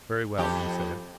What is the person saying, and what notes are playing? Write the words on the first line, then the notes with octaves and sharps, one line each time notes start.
"Very well," he said.
F2 G4